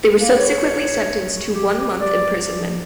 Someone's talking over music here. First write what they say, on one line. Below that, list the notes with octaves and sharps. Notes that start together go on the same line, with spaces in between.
They were subsequently sentenced to one month imprisonment.
A#3
C#5
G4
D5
F3